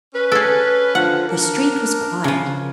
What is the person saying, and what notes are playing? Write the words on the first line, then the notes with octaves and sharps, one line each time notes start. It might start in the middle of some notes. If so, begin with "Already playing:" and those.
The street was quiet.
C#4 B4
G#4 A4
D3 F3 F#5
D4 A#4
C#3 F3